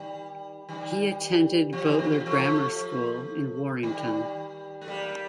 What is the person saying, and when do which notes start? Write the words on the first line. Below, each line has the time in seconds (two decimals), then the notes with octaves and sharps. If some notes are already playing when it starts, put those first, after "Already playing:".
He attended Boteler Grammar School in Warrington.
Already playing: D#3 G3
0.69 D#3 G3
1.73 F3
1.85 D#3
1.99 F3
2.26 F3 A3
3.83 D#3 G3
4.81 A3
4.88 G3 A#3